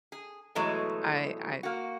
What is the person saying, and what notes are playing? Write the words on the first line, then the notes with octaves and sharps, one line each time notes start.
I I
G#4
B2 E3 F#3 G#3 A3
A#3 F#4